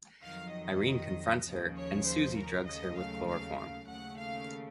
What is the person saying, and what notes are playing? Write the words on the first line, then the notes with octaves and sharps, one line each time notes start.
Irene confronts her and Susie drugs her with chloroform.
F2 D#3 F#3 F5
D#5
D#2 C#3 F3
C#5
C5
A#4
D#2 C#3 F#3 A3 D#5
F5
F5
F5
D#2 C#3 A3 F#5
F5